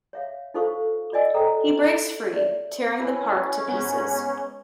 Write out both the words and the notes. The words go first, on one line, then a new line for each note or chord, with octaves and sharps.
He breaks free, tearing the park to pieces.
C#5 E5 F5
D#4 F4 A4 C5 F5 C#6
F4 D5 D#5 G#5 E6
A4 C5 G5 A#5
C#5 D5 E5
C#4 E4 B4 B5
G#2 B3